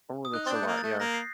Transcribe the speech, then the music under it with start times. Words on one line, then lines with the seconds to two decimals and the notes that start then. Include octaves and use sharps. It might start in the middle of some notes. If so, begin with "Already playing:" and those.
Ooh, that's a lot, yeah.
0.25 D#6
0.34 D#4 F#6
0.46 C4 D4 A6
0.55 G6
0.62 A3
0.66 A#3
0.78 A6
0.84 A3
0.99 A#3 A#6
1.14 C7